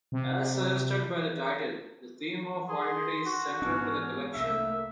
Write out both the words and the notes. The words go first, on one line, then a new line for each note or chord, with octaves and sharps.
As suggested by the title, the theme of identity is central to the collection.
C3
G#4 C6
F#4
G#2 E3 B3 C#4 D4
C2 A3 A#3 E5